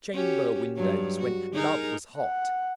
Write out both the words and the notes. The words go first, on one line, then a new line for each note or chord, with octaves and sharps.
Chamber-windows when Love was hot?
C#4 F#4 G4
G2 F#3
F#4
D#4 G#4 A#4
F#5